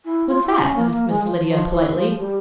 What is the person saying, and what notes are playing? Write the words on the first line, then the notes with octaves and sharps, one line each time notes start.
"What's that?" asked Miss Lydia politely.
E4
F4
E4
C#4
A#3
A#3
G#3
F3
F3
E3
F3
G3